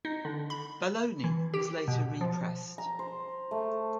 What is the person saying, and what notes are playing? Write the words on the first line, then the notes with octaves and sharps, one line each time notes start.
"Baloney" was later re-pressed.
D#4
D3
B5
E3
G4
B2
F3
A#5
C5
A3